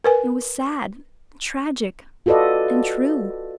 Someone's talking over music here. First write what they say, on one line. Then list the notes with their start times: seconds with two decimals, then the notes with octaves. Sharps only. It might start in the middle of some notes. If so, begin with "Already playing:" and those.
It was sad, tragic--and true!
0.04 A#4 B4 G#5
2.26 F4 F#4 A4 B4 D5 D#5